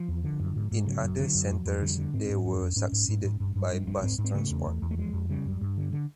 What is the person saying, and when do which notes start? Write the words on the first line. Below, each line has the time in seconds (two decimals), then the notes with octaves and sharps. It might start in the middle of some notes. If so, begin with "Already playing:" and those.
In other centres they were succeeded by bus transport.
Already playing: F3
0.08 E2
0.24 D3
0.40 F#2
0.56 G#2
0.71 G#2
0.86 C#3 F#3
1.03 F#2
1.19 D3 F#3
1.34 F#2
1.50 F2
1.65 F2
1.82 D3 G3
1.97 D3
2.13 G#2 C4
2.30 G#2
2.45 F2 C#4
2.61 F2
2.76 G#2 C#4
2.92 G#2
3.08 G#2
3.24 G#2
3.40 G2
3.55 G2
3.71 G2
3.87 G2
4.03 G#2 C4
4.18 G#2
4.24 C4
4.34 C#3 A3
4.50 E2
4.67 E2
4.82 E2
4.91 A3
4.98 F2 G#3
5.13 F2
5.29 C#3 G3
5.45 F#2
5.61 G2
5.78 D3
5.93 D3